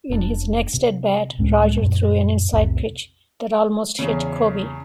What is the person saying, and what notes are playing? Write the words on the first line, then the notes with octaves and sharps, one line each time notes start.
In his next at-bat, Roger threw an inside pitch that almost hit Koby.
F1 A2 D4
C3
C#2 A2 G#3 C#4
F#2 A#2
C2 F2 A2 C3
E2 C#3